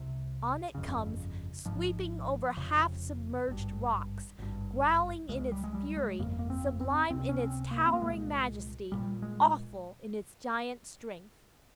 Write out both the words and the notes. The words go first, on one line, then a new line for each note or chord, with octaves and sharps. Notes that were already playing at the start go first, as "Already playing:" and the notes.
On it comes, sweeping over half-submerged rocks, growling in its fury, sublime in its towering majesty, awful in its giant's strength.
Already playing: C2 C3
G1 F2 C#3
G#1 G#2 F3
F1 F2 C#3
G#1 G2
G#1 G2
C#2 C#3 G#3
G3
G#3
G3
G#3
G1 F2 C#3 A#3
A#3
C4
C4
C#2 C3 C4
C#4
C4
A#3
C4
A#3
C2 A#2 G#3
A#1 A#2 G3
G#3